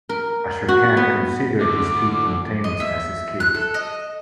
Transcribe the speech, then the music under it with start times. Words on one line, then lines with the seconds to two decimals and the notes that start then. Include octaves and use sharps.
Ashokan consider these two plantains as his kids.
0.09 A#4
0.68 F#4
0.97 B3
1.60 D3 A3 D6
2.64 D#5
2.80 E5
3.40 F#6
3.54 A4
3.74 D#5